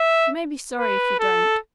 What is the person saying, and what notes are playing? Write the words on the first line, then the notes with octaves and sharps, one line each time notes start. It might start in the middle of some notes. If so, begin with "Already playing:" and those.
"You may be sorry if you don't."
Already playing: E5
B4
A4